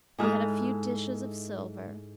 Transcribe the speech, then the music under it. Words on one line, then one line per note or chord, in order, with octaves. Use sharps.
They had a few dishes of silver.
G#2 E4 G#4 A4 F6 F#6